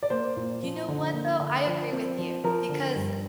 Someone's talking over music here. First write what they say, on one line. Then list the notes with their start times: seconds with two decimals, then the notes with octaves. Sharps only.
You know what, though? I agree with you, because
0.03 D5
0.10 A#3 C5
0.37 A#2
0.63 F3
0.88 D3
1.14 A#3
1.40 D3
1.67 F3
1.92 C4
2.18 F3
2.44 F3 A#4
2.69 D3
2.96 G2